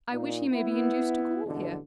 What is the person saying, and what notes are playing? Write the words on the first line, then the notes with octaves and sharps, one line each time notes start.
I wish he may be induced to call here.
A#2 D#4
B3 E4
A1 E2 G2 B2 D3